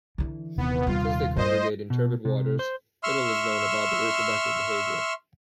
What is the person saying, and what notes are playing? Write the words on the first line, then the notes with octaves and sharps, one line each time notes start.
Since they congregate in turbid waters, little is known about their reproductive behavior.
D3 E3
D#1 C3 D#3 B3
G3 F4
G2 C5 D#5
B2
C3
C5
E5 C6 C#6 E6 F6